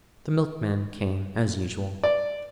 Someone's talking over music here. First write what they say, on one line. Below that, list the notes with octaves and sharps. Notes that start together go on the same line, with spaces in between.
The milkman came as usual.
D5